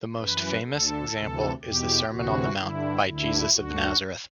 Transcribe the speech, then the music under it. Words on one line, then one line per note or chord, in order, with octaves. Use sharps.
The most famous example is the Sermon on the Mount by Jesus of Nazareth.
F#2 E3 B4
D2 D3 A4
D2 C3 E3
E2 B2 G4
D2 C3 E3 F#4
G2 D3 E4
D2 D3 E4
D2 D3 F#4